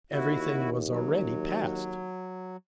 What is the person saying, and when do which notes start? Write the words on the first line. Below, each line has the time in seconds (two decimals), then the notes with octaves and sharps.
Everything was already past.
0.12 D#2 E4 F#4
0.90 F#3